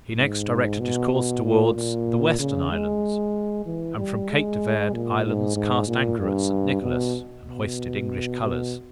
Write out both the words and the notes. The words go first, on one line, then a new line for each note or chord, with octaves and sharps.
He next directed his course towards the western islands, and from Cape de Verd islands cast anchor at St. Nicholas, and hoisted English colors.
G#2
B2
B2
A#2
A#2
C#3
G#3
E3
G3
G#3
A#2
G#2
G#2
A#2
G2
B2
B2
B2